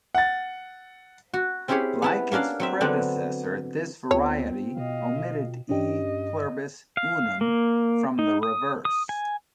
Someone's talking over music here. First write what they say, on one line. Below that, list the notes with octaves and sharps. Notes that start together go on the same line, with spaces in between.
Like its predecessor, this variety omitted E Pluribus Unum from the reverse.
F#5 A6
F#4
C4 C#4 E4 G4 G#4 C#5
B3 E4 A5
A#3 C#4 D4 A#4 F5
F#3 C4 E5
D3 F#3 B3 C4 D4
D2 B3 C4 F4 C#5 G5
B2 D#5 F5
G2 C#4 D4 G4 D#5
F5
A#3
D#4
D#6
D#6
G#5